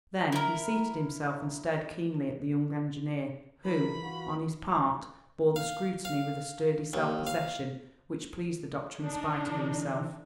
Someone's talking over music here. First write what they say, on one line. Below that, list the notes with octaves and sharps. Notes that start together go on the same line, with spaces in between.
Then he seated himself and stared keenly at the young engineer, who on his part bore the scrutiny with a sturdy self-possession which pleased the doctor in spite of himself.
E4 A#4
C#2 F#2 E3 A#4 B5
G2 F4 F#4
F5
F5
D#2
F5
D4 D#4
D3 E3